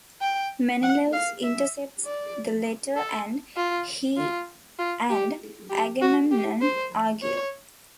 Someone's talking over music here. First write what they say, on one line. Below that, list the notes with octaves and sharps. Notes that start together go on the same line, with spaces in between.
Menelaus intercepts the letter and he and Agamemnon argue.
G5
F#5
F5
E5
D5
A4
F4
F4
F4
G4
G4
F#4
G4
C5
C#5